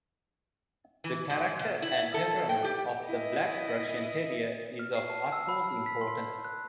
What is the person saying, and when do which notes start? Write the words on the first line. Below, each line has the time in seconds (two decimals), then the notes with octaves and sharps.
The character and temperament of the Black Russian Terrier is of utmost importance.
1.04 E3
1.30 G#2
1.59 B2
1.82 E4
2.14 A4
2.49 G5
2.64 G4
3.06 E4 D#5
4.79 F6
4.95 C7
5.10 A5
5.32 E6
5.49 B5
5.64 E6
5.86 B6
6.01 C6
6.45 F#6